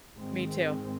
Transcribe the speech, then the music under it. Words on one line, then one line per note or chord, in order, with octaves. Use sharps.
me too,
G#2 D#3 G#3 C4